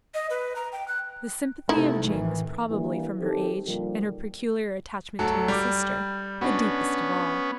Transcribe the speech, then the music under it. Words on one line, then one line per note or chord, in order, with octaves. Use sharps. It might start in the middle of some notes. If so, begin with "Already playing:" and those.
The sympathy of Jane was probably, from her age, and her peculiar attachment to her sister, the deepest of all.
D#5
B4
A#5
G5
F#6
C3 A3 D#4 E4
A1 D#3 E3
D3 E3 G3 A#3
D#3 C4 G4 A4
A#2 D3 D#3 F3 G3
D2 F#3 A4
G3 D6
B3 C#4 D4 F#4